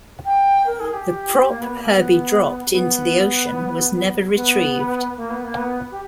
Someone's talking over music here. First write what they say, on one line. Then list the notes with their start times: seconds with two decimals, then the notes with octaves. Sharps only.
The prop Herbie dropped into the ocean was never retrieved.
0.25 G5
0.66 A#4
0.80 G#4
0.93 G4
1.47 A#3
1.61 B3
1.75 A#3
1.89 B3
2.70 B3
4.34 B3
5.16 A#3
5.29 B3
5.43 A#3
5.57 B3
5.90 G4